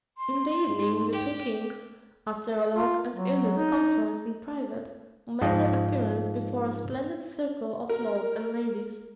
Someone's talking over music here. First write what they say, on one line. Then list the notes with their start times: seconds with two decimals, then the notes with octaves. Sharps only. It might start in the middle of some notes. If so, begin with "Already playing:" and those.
In the evening the two kings, after a long and earnest conference in private, made their appearance before a splendid circle of lords and ladies.
0.18 C6
0.69 G#2
1.12 G4
2.74 F4
3.14 F#3
3.57 D#4
5.42 G#2 F3 D#5 G5
7.89 A#4